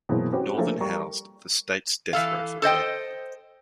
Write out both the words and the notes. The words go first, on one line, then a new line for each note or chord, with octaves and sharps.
Northern housed the state's death row for men.
B2 E3 F#3 G#3 A#3 C4
C4 C#4 F#4 G4 B4 C5
F3 A3 A#3 D4 G#4 A#4
G3 A#4 A#5 C#6
E3 A4 F5
A4 C5 D#5 G5